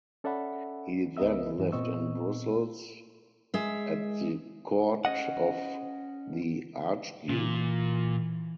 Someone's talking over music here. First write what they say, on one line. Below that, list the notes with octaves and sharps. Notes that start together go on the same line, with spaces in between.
He then lived in Brussels at the court of the Archduke.
C#4 A4 D5 E5 F#5 B5
C#2 B3 A#4 D#5 E5 E6
G2 E3 F#3
A#2 B3 C4 D#5 C#6 E6
G#3 E5
C#4 D#5 F#5
A#2 E3